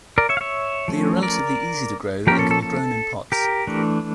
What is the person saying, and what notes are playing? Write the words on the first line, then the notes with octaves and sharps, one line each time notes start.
They are relatively easy to grow, and can be grown in pots.
A#4 D5
C#5 E5
F5
C#5 E5
F3 A3 C#4
A#4 D5
F3 A#3 C#4 G4 A#4
A4
A4
A4
G4 A#4
E3 A3 D4